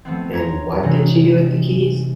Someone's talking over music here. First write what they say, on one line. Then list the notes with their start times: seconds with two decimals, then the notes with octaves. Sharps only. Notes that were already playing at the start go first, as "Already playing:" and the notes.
And what did she do with the keys?
0.05 F3 A3 B3 C4
0.33 C#5 A#5 C6
0.83 C3 E3 G#3 C#4 D#4 F#4